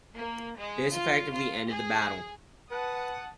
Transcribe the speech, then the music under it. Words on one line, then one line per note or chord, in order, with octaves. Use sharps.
This effectively ended the battle.
A#3
G#3
F4
F4
G#4
B4 F#5 A5 D#6